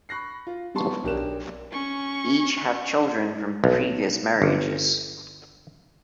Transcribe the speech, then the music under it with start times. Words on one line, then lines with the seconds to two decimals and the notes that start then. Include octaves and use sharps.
Each have children from previous marriages.
0.09 B5 C#6 F#6 A#6 C7
0.47 F4
0.75 G3 B3 A5 C6 C#6
1.04 B1 D4 G4 A#4 F#6 E7
1.71 C#4 C#6
3.64 B1
4.42 G1